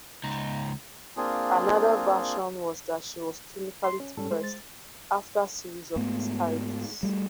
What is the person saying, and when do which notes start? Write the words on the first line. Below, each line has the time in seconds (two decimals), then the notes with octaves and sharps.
Another version was that she was clinically depressed, after a series of miscarriages.
0.24 C#2 D#4
1.17 A#3 C4 D4 F4 G#4
3.84 C6
4.00 C#4
4.17 G#2 G3 C#4 A4
4.31 G#3 C5
4.44 A6
5.96 G#2 A3 B3
7.03 G3 A3